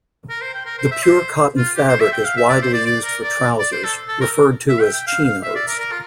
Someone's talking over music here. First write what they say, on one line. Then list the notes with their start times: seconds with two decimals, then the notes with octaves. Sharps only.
The pure-cotton fabric is widely used for trousers, referred to as chinos.
0.29 A#4
0.41 C5
0.53 G5
0.66 A#4
0.78 C5
0.91 E5
1.03 C5
1.57 F4
1.76 G4
1.89 C5
2.00 E5
2.13 G5
2.25 F5
2.37 E5
2.49 D5
2.62 C5
2.74 D5
2.86 D5
3.04 A#4
3.23 D5
3.59 D5
3.72 C5
3.84 A4
4.08 A4
4.21 A#4
4.69 E5
4.81 G5
4.94 G5
5.07 F5
5.24 F5
5.43 E5
5.55 D5
5.68 A#4
5.79 A#4
5.92 F4